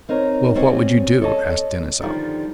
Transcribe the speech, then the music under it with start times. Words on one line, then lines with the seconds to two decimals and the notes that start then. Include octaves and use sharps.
"Well, what would you do?" asked Denisov.
0.09 C4 D#4 A#4 C#5
0.55 G3 C4 C#4 F#4 D#5
1.21 A4 C#5 D#5 A5
2.01 D3 D#3 F3 G3